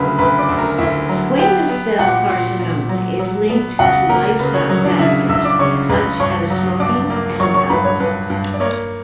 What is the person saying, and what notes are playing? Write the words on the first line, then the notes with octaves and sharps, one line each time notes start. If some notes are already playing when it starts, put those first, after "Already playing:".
Squamous-cell carcinoma is linked to lifestyle factors such as smoking and alcohol.
Already playing: D2 C#3 F#3 A#4 B4 B5
D2 B4 B5
D5 D6
D2
A#4 A#5
D2 E4 E5
F#3
B3 G4 G5
B3
A#2 F#4 F#5
A#2
A#2
F#3
F#3
B3
C#2 F#4 F#5
A#3 A#4 A#5
C#3 B4
C#5
F#3 C#5
D4 D5
C#3 E4 E5
C#2 E5 E6
D5 D6
C#3 C#5 C#6
C#2 B4 B5
G2 C#5 C#6
F#3
G2 D5 D6
A#3
F#3 C#5 C#6
C#5 C#6
G2 B4 B5
C#5
G2 B4
G2
D5
A#3 C#5